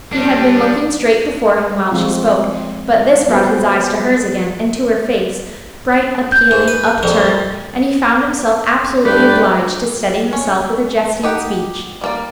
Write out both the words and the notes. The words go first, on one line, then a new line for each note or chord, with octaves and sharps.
He had been looking straight before him while she spoke, but this brought his eyes to hers again, and to her face--bright, appealing, upturned--and he found himself absolutely obliged to steady himself with a jesting speech.
G3 D4
F3 G#3 C4 F4
G3 B3 F#4 B4 C5
G6
G#2
B4
A#1 F2
G2 A3 B4 D5 G5
C#4
D#4 G4 F#5
G3 A#3 D5